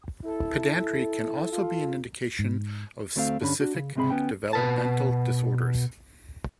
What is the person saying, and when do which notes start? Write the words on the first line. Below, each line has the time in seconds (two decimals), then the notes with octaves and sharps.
Pedantry can also be an indication of specific developmental disorders.
0.25 E4 A4
1.52 F4
2.39 G#2
3.16 D2 A3 C4 G#4 F5
3.41 G2 D3 C#4 B5
3.60 D4 F#4
3.75 C#3
3.96 C#2 G#2 C3 C4 G#4 B5
4.10 D2 B3 C#4 G5
4.53 B2 B4 A5